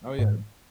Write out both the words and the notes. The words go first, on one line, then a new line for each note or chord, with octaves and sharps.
Oh yeah.
G#2